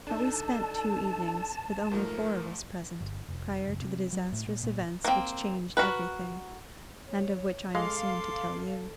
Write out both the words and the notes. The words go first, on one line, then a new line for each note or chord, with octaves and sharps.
But we spent two evenings, with only four of us present, prior to the disastrous events which changed everything, and of which I am soon to tell you.
D4 D#4 A4 A5
G#2 F3 A3 A#4
G1
F1
F#1
C3
F#3
A2
A#2
A#2
A#3 C4
F#4 A#4 B4
C#5
G#3 A4 F5 C6 D6